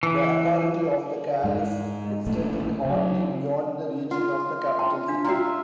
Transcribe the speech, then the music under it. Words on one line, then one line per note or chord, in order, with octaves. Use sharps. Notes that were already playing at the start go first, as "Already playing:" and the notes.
The authority of the Caliph extended hardly beyond the region of the capital city.
E3
G#2 G#3
A#1 A3
C#3 F#3
F4 F#5
G5 A5 C6
D4 F5
F4 F#4 E5 G5 A#5